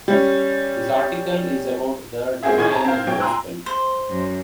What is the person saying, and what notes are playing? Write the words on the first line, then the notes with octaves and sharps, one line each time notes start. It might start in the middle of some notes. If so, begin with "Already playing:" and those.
This article is about the denial in Gospel.
G3 C#4
G#3 A#3 C4 F#4 G#4 E5
D#2 A2 G#4 G#5 G#6
A5 A#5
C4 F5
B2 F#3 C#5 G5
G5 G#5 A#5 C6 E6 F#6
C5
F#2